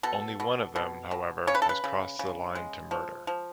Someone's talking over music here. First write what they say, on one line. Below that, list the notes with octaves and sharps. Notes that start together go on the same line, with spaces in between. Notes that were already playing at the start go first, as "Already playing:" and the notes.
Only one of them, however, has crossed the line to murder.
B2 A4
B2
B2
B2
C#3 C#5
B4
A4
B4
C#3
C#3
G#3
F3
F3